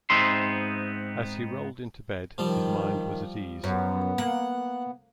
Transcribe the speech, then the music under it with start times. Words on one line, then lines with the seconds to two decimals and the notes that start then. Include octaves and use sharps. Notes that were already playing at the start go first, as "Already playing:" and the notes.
As he rolled into bed his mind was at ease.
0.10 G#2 B3 C4 D#4 E5 C6
2.38 D#3 F3 G3
3.64 F#2 B3
4.18 A#3 F#5